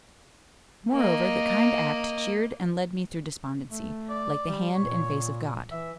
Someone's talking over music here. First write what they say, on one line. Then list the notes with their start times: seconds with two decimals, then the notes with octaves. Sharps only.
Moreover the kind act cheered and led me through despondency, like the hand and face of God.
0.93 A#3 D#5
3.69 A3
4.10 D5
4.48 G3
4.75 A#2 C#5
5.71 E3 E5